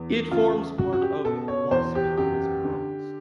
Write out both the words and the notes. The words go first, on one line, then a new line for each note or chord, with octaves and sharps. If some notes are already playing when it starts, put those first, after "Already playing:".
It forms part of Las Palmas Province.
Already playing: E2
C#3 F4
C#3 F#4
F#4
G4
B2 A4
C#5
E2 C5
G4
F#2 G4
D3